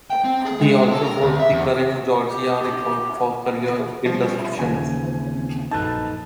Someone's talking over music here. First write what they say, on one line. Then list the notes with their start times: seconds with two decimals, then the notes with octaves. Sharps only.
He also holds the current Georgia record for career interceptions.
0.10 G5
0.24 C4
0.45 G#4
0.60 G#3
0.75 G#3
0.91 A4
1.04 A#4
1.22 D2
1.39 E5
1.52 E2
2.30 G4
4.06 F3 G3 C#4
4.59 D#2 C#3 E3 F3 G#5
5.71 A#1 F#2 D#4 A4 B4 A5